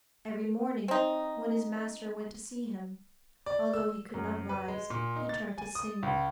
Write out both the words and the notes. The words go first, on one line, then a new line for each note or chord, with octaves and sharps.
Every morning, when his master went to see him, although he could not rise, he tried to sing.
C4 D#4
D5
E6
F#2
B4
G#3
A#2
D#4
A6
G#5
D#6
C#2